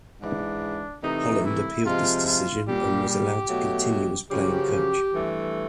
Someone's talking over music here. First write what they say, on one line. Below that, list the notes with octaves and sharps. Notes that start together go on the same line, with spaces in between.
Holland appealed this decision and was allowed to continue as playing coach.
G#2 E3 G#3 D4
C3 E3 A3 D#4
E4
C3 F3 G#3 F4
F4
A#2 G3 G4
G4
B2 F#3 A3
F#2 C#3 F3 G4
G2 E3 A3